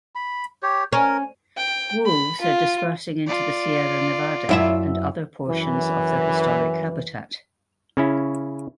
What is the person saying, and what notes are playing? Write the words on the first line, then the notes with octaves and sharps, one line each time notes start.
Wolves are dispersing into the Sierra Nevada and other portions of their historic habitat.
B5
G4 C#5
C#4 A#4
G5
B5
F4
F4 D5
F#2 E4 E5
F#2 E3
C#3 C#4 E4